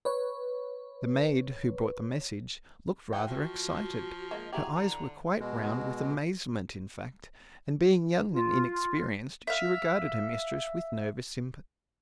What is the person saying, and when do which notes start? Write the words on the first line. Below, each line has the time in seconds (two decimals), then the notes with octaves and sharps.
The maid, who brought the message, looked rather excited; her eyes were quite round with amazement, in fact, and being young and inexperienced, she regarded her mistress with nervous sympathy.
0.05 B4 C#5
3.13 E3 E4 F#5 G5
3.27 F3 F#4
4.31 G#3 A#3 D#5
4.53 F#3 E4 G4 G#4 A#5
4.76 D3
5.40 B2 G#3
8.33 F4
9.47 E5 F5